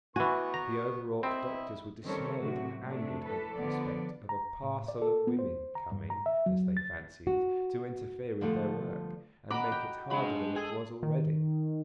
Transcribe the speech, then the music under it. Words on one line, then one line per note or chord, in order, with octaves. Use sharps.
The overwrought doctors were dismayed and angered at the prospect of a "parcel of women" coming--as they fancied--to interfere with their work, and make it harder than it was already.
E3 B3 F#4 G#5 C#6
A#5
C4 D#5 E5 B5
D#3 G3 C4 C#4 A4 C#5
A2 C3 F#3 F#4
C3 A3 D4
E3 A4 B4
D3 F3 B3 D5
A#5
A2
D5
A4
B3
C5
A#5
G2
A#5
E5
F#3
A6
F#4
D3 F3 G3 A3 B3
F#4 D#5 A#5 B5 D6
G5
G#3 D4 B5
G#4 A4 G#5
D#3